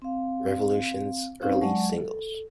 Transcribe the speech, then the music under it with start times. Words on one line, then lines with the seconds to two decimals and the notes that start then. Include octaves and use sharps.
Revolution's early singles.
0.02 C4 F5
1.42 C4 C#4 D#4 G4 C5 F5
1.61 F#3 G#3 D5 F#5 A5 C#6
1.94 A4